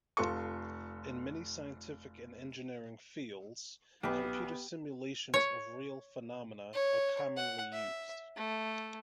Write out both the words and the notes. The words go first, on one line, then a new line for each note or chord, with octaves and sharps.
In many scientific and engineering fields, computer simulations of real phenomena are commonly used.
F1 F4 A4 C6 C#6
B1 B3 G4 B4
C#5
C#5
F#5
E5
A3